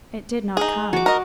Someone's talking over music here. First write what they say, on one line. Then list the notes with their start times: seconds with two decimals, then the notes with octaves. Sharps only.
It did not come.
0.57 D#4 G#4
0.93 F#4 D6
1.06 A#4 D#5